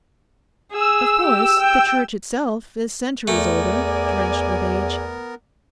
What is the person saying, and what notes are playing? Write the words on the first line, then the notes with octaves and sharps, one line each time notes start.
'Of course, the church itself is centuries older, drenched with age.
G#4 E6
G4
G5
E2 A3 B3 A#4 D5 G#5